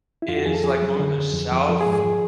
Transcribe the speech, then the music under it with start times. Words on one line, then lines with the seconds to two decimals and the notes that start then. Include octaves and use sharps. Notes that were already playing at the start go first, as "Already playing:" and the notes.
is, like north or south.
0.22 E4
0.28 F2 F4
0.37 F#4
0.46 F2 G#4
0.55 A4
0.64 F2 G#4
0.82 F#3
0.99 D3
1.17 F2
1.34 F2
1.52 F2
1.69 F3 A4
1.81 G#4
1.87 G#2
1.93 G#4
2.04 F3